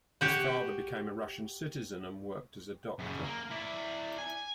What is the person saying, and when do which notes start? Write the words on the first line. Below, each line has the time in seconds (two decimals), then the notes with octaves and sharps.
His father became a Russian citizen and worked as a doctor.
0.21 F#4 G4 F#5
2.99 F#2 C#3
3.24 A#3
3.51 E4 D5
4.18 G#5